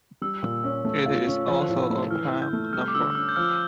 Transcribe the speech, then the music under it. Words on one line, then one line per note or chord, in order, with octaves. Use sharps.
It is also a prime number.
G3 E6
A#2
C#4
A3
F4
C#4
F3
A2
A3
E3 F6
E4
G6
A3
G3 F6
D6
D3 E6
C#4 E6
G6
F3 F6